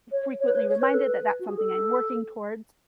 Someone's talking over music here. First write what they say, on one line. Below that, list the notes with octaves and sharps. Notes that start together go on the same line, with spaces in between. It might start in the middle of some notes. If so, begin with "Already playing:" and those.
frequently reminded that that's something I'm working towards,
C#5
C#5
B4
C#5
C#5
B4
A4
B4
F#4
G#4
A4